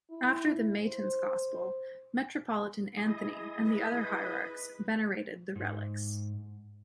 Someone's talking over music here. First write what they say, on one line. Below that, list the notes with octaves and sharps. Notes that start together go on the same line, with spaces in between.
After the Matins Gospel, Metropolitan Anthony and the other hierarchs venerated the relics.
E4
C5
E4 G#4 D#5
B4
G#2